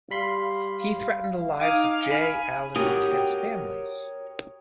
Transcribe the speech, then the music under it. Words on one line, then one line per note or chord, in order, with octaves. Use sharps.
He threatened the lives of Jay, Alan, and Ted's families.
G3 F5 B5 C6
D#4 F5 G#5 D6 D#6
F5 G#5 B5 F6
F#4 G4 A#4 C#5 G5 D#6